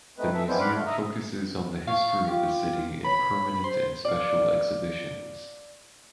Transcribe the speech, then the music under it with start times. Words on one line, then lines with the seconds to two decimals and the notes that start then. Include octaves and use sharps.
The museum focuses on the history of the city in permanent and special exhibitions.
0.18 A3 C4 D#4 B4
0.33 E3 A4 E5
0.48 G3 G#3 B3 D4 E4 C5
0.61 F#5 B5 C6 D6 F6
0.73 F2 D3 F3 A3
0.86 D#5 E5 A#5
1.88 F5 C#6
2.27 F4 G4
3.05 C#5 B5
3.64 C5 C6
4.05 D5 F5